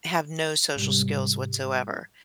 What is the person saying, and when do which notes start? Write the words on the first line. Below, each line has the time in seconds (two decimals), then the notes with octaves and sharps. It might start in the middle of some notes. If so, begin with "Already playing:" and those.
have no social skills whatsoever,
0.76 G#2 C3 G3